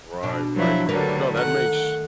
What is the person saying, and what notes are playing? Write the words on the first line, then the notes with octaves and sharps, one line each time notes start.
Right, right. No, that makes
B2 B3 D4
F3 F#3 E4
D3 F#3 G3 A3 A#4 B4
D#3 A3 F#5